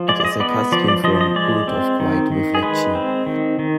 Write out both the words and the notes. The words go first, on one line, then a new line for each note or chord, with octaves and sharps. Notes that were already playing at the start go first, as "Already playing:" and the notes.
It is a costume for a mood of quiet reflection.
Already playing: F3
G#3 D5
D5
D#5
B3 D5
F3 D5
D5
F3 D#5
D#5
G#3 D5
C4
D#3
D#3
G#4
G#3 B4
C4
D#3
D#3